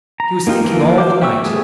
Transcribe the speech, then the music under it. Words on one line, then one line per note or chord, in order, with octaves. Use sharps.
He was thinking all the night.
A#5
A#3 D#4 F4 G4
E3 F3 A#3
C5 D6
E5 G5 C#6 E6
G3 A3 B3 G#4